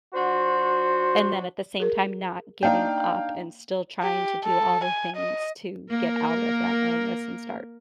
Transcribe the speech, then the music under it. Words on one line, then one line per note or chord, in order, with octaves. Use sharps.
and then at the same time, not giving up, and still trying to do all the things to get out of that illness and start
F3 D4 F#4 C5
G#4 A#4
A#3 D4 D#4 F5 G5
G4
A4
G#5
D#5
A#3 A#4